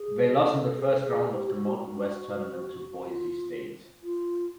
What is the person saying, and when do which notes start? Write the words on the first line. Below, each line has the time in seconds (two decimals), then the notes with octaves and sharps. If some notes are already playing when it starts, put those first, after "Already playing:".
They lost in the first round of the Mountain West Tournament to Boise State.
Already playing: G#4
0.26 A#4
0.32 A4
0.78 G#4
0.90 A4
1.02 G#4
1.25 G4
1.48 F#4
1.66 G4
1.71 F#4
3.10 F4
4.03 F4